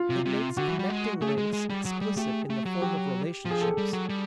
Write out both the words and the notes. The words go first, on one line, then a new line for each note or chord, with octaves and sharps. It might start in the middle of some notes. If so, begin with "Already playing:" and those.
It makes connecting links explicit in the form of relationships.
Already playing: F4
C3
C3
D3 F#4
E3
G3
G#3
A3 G#4
G#3
G#3
G3
F#3
G3
A3 G4
A3
F#3
G4
F3
G#4
A4
G3
F#3
G3